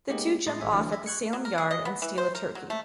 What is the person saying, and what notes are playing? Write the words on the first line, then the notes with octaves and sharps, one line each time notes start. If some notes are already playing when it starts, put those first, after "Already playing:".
The two jump off at the Salem yard and steal a turkey.
G#3 A#3 B3 D#4 G4 G#4
A2 G#3 E4 D#5 C6 A6
A1 G#3 E5 G#5
D3 E3 F#3 A3 D4
E5
C#6 F#6 G#6 C#7
F#3
A#4
G#4
D#5
B3
E3
C5
A#4
F#3
A3